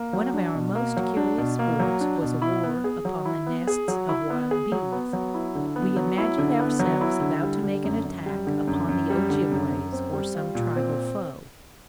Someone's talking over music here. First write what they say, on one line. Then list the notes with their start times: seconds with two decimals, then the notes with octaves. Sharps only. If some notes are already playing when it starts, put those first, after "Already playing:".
One of our most curious sports was a war upon the nests of wild bees. We imagined ourselves about to make an attack upon the Ojibways or some tribal foe.
Already playing: A#3
0.13 F#3
0.34 D4
0.55 B2
0.75 A#3
0.97 F#3
1.17 D4
1.38 B2
1.59 A#3
1.80 F#3
2.01 D4
2.22 B2
2.42 E4
2.63 B3
2.84 G#4
3.05 F#3
3.25 E4
3.46 B3
3.67 G#4
3.88 F#3
4.09 E4
4.30 B3
4.51 G#4
4.72 F#3
4.92 B3
5.13 F#3
5.34 E4
5.55 D3
5.76 B3
5.96 F#3
6.18 E4
6.38 D3
6.60 B3
6.79 F#3
7.01 E4
7.22 D3
7.43 G3
7.63 D3
7.84 F#2
8.05 F#2
8.26 G3
8.47 D3
8.68 F#2
8.89 F#2
9.10 G3
9.30 D3
9.51 F#2
9.72 F#2
9.92 C4
10.13 G3
10.35 F4
10.55 A#2
10.76 C4